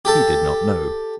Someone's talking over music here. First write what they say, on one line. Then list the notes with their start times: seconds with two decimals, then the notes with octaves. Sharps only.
He did not know.
0.05 G4 A4